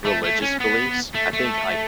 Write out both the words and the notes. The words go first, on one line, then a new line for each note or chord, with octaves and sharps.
religious beliefs, I think, l c
A3
A3
C#4
B3
A3
A3